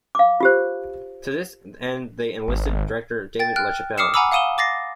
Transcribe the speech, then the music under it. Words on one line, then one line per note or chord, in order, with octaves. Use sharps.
To this end, they enlisted director David LaChapelle.
F5 D6
F4 G4 C5
G#1
G5 A6
G5 F6 F#6
D6 D#6 F6 C7 C#7 E7
F#5 G#5 A#5 B5 D6 E6
F5 F#5 D#6 D#7 E7 G7
D6 A6 A#6 C7